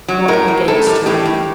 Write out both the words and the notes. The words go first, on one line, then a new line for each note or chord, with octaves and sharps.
'Not against her, mother!
F#3
A2 A#4
A2
A2 A4
G3
A2 G4
A2